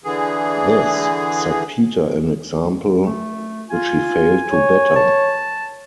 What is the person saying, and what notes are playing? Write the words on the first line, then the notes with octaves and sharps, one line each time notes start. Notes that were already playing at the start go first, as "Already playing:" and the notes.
This set Peter an example which he failed to better.
D3 E3 G#4
A3
F4 G#5
C#5
A5